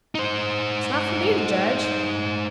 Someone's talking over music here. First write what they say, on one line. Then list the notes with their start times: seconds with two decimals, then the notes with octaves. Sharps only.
It's not for me to judge.
0.15 D#4 C5